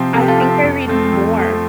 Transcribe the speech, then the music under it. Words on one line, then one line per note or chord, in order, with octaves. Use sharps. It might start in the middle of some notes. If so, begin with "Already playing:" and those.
I think I read more.
Already playing: C3 F3 C4 C5
C3 A4
G4
F4 A4
F3 C4
F2
F3 A3 C4
F2
F3 A3 C4